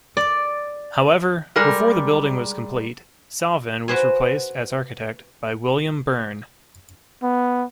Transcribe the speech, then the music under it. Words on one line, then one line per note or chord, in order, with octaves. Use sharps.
However, before the building was complete, Salvin was replaced as architect by William Burn.
D5
G3 G#3 A#4 D5
F#4 B4 C5 G#5
B3